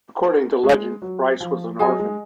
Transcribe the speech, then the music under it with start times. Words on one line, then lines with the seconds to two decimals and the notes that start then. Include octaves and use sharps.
According to legend, Brice was an orphan.
0.24 D#4 F#4 A#4
0.63 G#3
1.02 F#3
1.41 F3
1.79 F#3 G#4 D#5 G#5
1.99 G#3